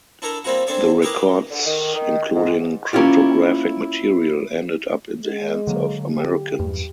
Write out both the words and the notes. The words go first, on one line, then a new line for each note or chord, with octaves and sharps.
The records, including cryptographic material, ended up in the hands of Americans.
D4 E4 A4 A#4
G3 A#3 C4 E4 F#4
C4 D4 A4 D5 G#5
E4 G4 G#4 A#4 B4 D6
D3
D#3
D#3
G#2
A#3 C#4 E4 F4 G4
G#3
D3 F#3 A#3
G4
E2 G2